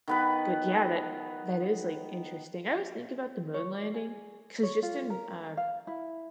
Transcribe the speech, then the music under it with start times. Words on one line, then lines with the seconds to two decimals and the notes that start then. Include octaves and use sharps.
but yeah, that that is, like, interesting, I always think about the moon landing 'cause just in, uh
0.08 D#3 B3 B4
3.54 C#5
3.74 D5
3.94 G#4
4.63 C#5
4.83 F4
5.10 A#4
5.57 F5
5.87 E4